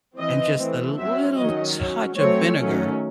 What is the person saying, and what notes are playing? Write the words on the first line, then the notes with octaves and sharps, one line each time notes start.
and just a little touch of vinegar
E3 C4 D#5
E3 A3 C4
F#3 C4 E5
D#3 F#3 C#4 D#5
F#3 C#4
F#3 A3 C4 C#5
D#3 F#3 A3 C#4